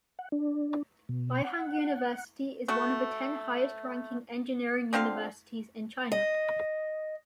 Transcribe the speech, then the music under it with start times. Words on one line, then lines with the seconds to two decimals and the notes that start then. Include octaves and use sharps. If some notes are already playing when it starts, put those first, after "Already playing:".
Beihang University is one of the ten highest ranking engineering universities in China.
0.19 F#5
0.32 D4
1.09 B2
1.44 F#5
2.68 A3 F#4
4.93 D3 C4 F4 F5
6.12 D#5